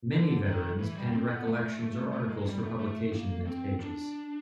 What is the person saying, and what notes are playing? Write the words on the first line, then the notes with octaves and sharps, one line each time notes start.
Many veterans penned recollections or articles for publication in its pages.
D3
D#3
E3
G3
C4
B3
A3
A3
A3
G#3
G3
A3
A3
A#3
C4
D4